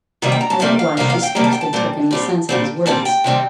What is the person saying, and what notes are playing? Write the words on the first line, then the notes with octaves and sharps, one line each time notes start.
As it was, she scarcely took in the sense of his words.
C3 D#3 G3 A#3 D#5
G5
A#5
A5
C3 D#3 G3 A#3
F5
C3 D#3 G3 A#3 F5
F5
G5
C3 D#3 G3 A#3 A#5
A5
G5
A5
A#2 G3 C4
A#2 G3 C4
A#2 G3 C4
A#2 G3 C4 A5
G5
C3 D#3 G3 C4